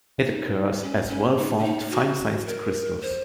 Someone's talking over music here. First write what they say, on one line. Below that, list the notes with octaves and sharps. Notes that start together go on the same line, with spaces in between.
It occurs as well-formed fine-sized crystals.
D#4
C#4
C#4
D#4
C#4
D#4
F#4
A#4
C5